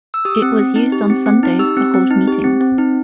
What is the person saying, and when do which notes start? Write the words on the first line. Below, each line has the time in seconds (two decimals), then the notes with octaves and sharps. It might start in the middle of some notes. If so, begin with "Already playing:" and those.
It was used on Sundays to hold meetings.
0.14 E6
0.25 G4 D#6
0.42 C4
0.59 C4
0.76 D#4
0.92 G4
1.10 C4
1.26 C4
1.43 D#4
1.59 G4 E6
1.77 C4
1.94 C4
2.10 D#4
2.27 G4
2.44 C4
2.61 C4
2.78 D#4